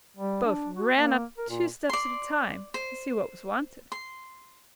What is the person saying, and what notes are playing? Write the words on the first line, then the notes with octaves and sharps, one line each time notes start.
Both ran up two steps at a time, to see what was wanted.
G3
D4
F#4
A#3
A#4
A#2
D5 C6
C5
C6